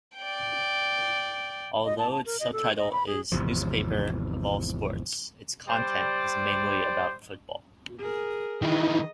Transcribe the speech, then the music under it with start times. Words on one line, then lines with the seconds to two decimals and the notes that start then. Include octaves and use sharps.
Although its subtitle is "newspaper of all sports", its content is mainly about football.
0.18 D5 G5
1.85 D#5
1.98 A5
2.12 A5
2.26 A#4
2.40 D#5
2.52 A4
2.77 D#5
2.92 B5
3.07 G#4
3.32 G#1 E2 C3 F3
5.68 G3 C5 D5
7.98 G#4 A#4
8.62 D#3 E3 D#5